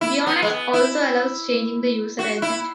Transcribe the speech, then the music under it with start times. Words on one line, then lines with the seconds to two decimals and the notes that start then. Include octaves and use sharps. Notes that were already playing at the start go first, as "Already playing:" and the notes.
Beonex also allows changing the user agent.
0.01 E4
0.27 B3
0.42 G#3
0.50 B3
0.73 E4
2.19 F#4
2.42 E4